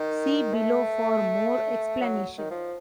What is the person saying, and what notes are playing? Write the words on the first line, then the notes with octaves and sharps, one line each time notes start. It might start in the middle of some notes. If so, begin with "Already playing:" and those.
See below for more explanation.
Already playing: D#3
A3
F#3
D#3
F3